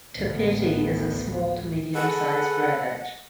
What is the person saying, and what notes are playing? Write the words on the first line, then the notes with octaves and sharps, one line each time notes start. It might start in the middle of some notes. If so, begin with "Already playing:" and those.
Tapeti is a small- to medium-sized rabbit.
A1 D2 B3
G#4 A4 B4 F#5